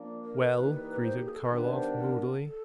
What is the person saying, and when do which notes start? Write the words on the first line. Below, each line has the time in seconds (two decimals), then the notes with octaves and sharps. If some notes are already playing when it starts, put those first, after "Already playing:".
"Well?" greeted Karlov, moodily.
Already playing: F3 A#3 D4
0.25 A#4
0.55 E3 G3 A#3 D#4 B4
1.03 C5
1.18 G4
1.25 G#4
1.33 A4
1.42 A#4
1.50 D#3 G3 B3 D4 B4
1.68 C#5
1.74 C5
1.97 A#4
2.45 A4